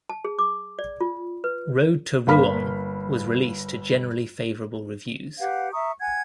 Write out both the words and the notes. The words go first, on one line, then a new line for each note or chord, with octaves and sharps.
"Road to Rouen" was released to generally favourable reviews.
A5
G#4
D6
D5
F4
B4
G1 A#3 F5 B5 F6 B6
G4 B4 F5 F#5
E5 A#5 C#6 D#6
F#5 G#5 G#6